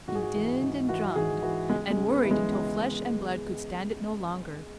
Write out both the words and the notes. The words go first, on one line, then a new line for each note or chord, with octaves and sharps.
He dinned and drummed and worried until flesh and blood could stand it no longer.
G#2 F#4
G#4
F#4
E3
G#2
E3 F#4
G#2 G#4
E3 F#4
C#2 G#3
G#3
C#3
B3
E3
G#3
C#2